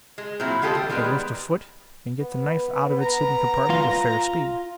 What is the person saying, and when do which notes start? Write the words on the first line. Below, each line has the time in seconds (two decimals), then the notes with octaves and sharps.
I could lift a foot and get the knife out of its hidden compartment with fair speed.
0.18 G#3
0.40 A#2 F#3 C4 E4
0.62 D#3 G#3 F4 G4 A4
0.75 G3
0.89 D#3 G3 G#3 B3 A#4
2.20 B3
3.02 A#5
3.70 F4